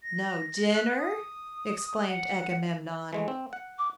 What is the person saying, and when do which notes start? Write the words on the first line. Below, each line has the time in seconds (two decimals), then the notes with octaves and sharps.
"No dinner!" exclaimed Agamemnon.
0.03 A#6
0.73 F#6
0.98 D#6
2.08 F#5
3.13 E3 G#3 A3
3.28 C4
3.53 F#5
3.79 D6